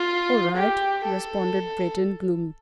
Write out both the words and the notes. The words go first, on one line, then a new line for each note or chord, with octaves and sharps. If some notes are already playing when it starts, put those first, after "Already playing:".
"All right," responded Breton, gloomily.
Already playing: F4
G4
A4